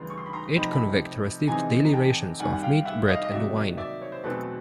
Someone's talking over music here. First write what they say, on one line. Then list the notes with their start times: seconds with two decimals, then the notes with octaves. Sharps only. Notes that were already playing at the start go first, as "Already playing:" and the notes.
Each convict received daily rations of meat, bread, and wine.
Already playing: D2 C#3 E3 G3 B3 C6
0.10 C#6
0.18 C6
0.26 B5
0.33 A#5 C6
0.56 C3 F3 A3 C4 D#4 B5
0.64 A#5
0.73 A5 B5
1.47 C3 E3 G#3 C4 D#4 G#5 A#5
1.85 A#5
1.94 G5 A5
2.40 C2 C3 D#3 G3 F#5 G#5
2.53 F#5
2.63 F5 G5
2.85 E5 F#5
3.09 D#5 F5
3.23 D#5
3.31 C3 D#3 F#3 A#3 D#4 D5 E5
3.78 D5 E5
4.02 C#5
4.12 C5
4.23 E2 B2 F#3 A3 C4 A4 B4